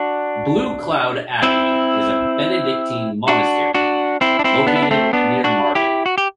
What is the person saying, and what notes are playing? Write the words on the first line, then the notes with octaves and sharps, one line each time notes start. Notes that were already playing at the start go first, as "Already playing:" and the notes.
Blue Cloud Abbey is a Benedictine monastery located near Marvin.
Already playing: D4 F#4
C4 E4
D4 F#4
D4 F#4
C4 E4
D4
C4 E4
B3 D4
E4
D4
A3 C4
B3 D4
D4 F#4
E4 G4
F#4
G4